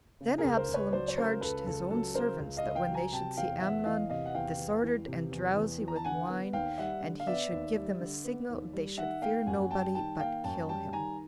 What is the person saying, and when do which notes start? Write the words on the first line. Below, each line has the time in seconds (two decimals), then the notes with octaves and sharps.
Then Absalom charged his own servants, that when they should see Amnon disordered and drowsy with wine, and he should give them a signal, they should fear nobody, but kill him.
0.20 C#3
0.38 G#4 A#4
0.44 C#2
0.56 A#4 C5
0.68 C#2
0.74 B4 C#5
0.93 F#3 C5 D5
1.08 C#5
1.18 C#3 A#4 C5
1.41 C#2 A4 B4
1.66 C#2 A4
1.90 F#3 A4
2.14 C#3 A#4 C5
2.39 C#2
2.57 D#5 F5
2.64 C#2
2.75 F5 G5
2.88 F#3
2.94 G#5 A#5
3.12 C3 G5 A5
3.37 E2 F5 G5
3.61 E2 E5 F#5
3.85 E3 D#5 F5
4.10 C3 D#5 F5
4.26 F#5
4.35 E2 F5 G5
4.59 E2
4.84 E3
5.07 C3
5.32 E2
5.57 E2
5.81 E3
5.88 A#5
5.96 A5
6.05 D3 F#5 G#5
6.30 B3
6.53 D#2 F5 G5
6.78 G3 E5 F#5
7.03 D3
7.20 F5
7.27 B3 D5 E5
7.51 D#2
7.76 G3
8.00 D3
8.25 B3
8.49 D#2
8.73 G3
8.97 D#3 E5 F#5
9.22 A#3 F5 G5
9.47 F#2 F#5 G#5
9.71 G3 G5 A5
9.95 D#3 G5 A5
10.19 A#3 F5 G5
10.44 F#2 G5 A5
10.68 G3 G5 A5
10.93 D#3 G#5 A#5